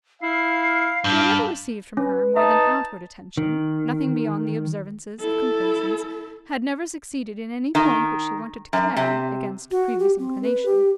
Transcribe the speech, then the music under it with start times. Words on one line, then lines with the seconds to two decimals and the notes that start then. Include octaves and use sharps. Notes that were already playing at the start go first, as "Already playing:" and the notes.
She had never received from her more than outward attention, nothing beyond the observances of complaisance; had never succeeded in any point which she wanted to carry, against previous inclination.
0.22 E4 F5 C7
1.04 G2 D4 G6
1.97 C#4 B4
2.36 D#4 E5 A5
3.37 D#3
5.20 E4 A4
7.75 D#3
8.73 F#2
8.96 C3
9.71 F#4
9.99 G4
10.19 C4
10.43 B4
10.66 G4